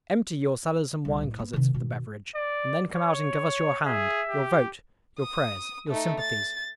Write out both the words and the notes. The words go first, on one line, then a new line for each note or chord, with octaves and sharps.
Empty your cellars and wine-closets of the beverage, and then come out and give us your hand, your vote, your prayers, your sympathies.
C2 C3
A2
A#3 B3
C3 D#3
B2 D#3
D5
C#5
G#4 E5
G4
D#6
A3 D#4
A6